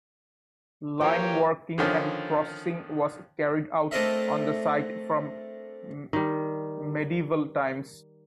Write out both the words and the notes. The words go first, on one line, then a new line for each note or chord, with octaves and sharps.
Lime working and processing was carried out on the site from medieval times.
E3 F3 A#3 F4 G4 C#5 G5
D3 D#3 F3 C#4
A3 C4 D4 A#4 D#5 E5
D#3 G3